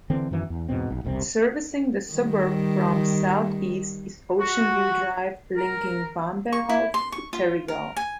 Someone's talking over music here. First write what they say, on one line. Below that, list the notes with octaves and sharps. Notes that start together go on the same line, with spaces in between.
Servicing the suburb from the south-east is Ocean View Drive, linking Wamberal to Terrigal.
D3 E3 C4
F#2 D#3 E3 B3
E2
E2 G#2 B2 C4
B1
E1 C2 C3 C4
D#3 G3
F#4
A#4
C#6
E4
C6
C#6
F4
A#4
G#5